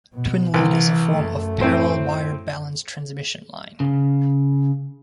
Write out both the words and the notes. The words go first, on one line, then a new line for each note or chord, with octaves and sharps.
Twin lead is a form of parallel-wire balanced transmission line.
B2
C2 E3 B4
F#2 A3
A2 C4 C5
C#3